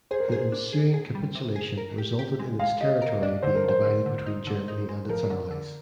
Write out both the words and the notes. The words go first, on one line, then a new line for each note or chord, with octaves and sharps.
The ensuing capitulation resulted in its territory being divided between Germany and its allies.
G#4 C5
A#4
G#4 C5
D4
G#4
G#4
G3
C3
G#4
A#4
G4
G4
G#3
G#3 F5
G4 D#5
A#4
D4 D5
D3 C5
A#4
F3 C5
D3
D3
D#4
D3
D#4
G#3
F3 A#4
D3
D3